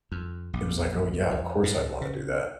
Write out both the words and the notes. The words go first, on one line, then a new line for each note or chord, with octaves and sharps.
it was like, "Oh yeah, of course I'd wanna do that."
F2
A#1
F2
A2
C#3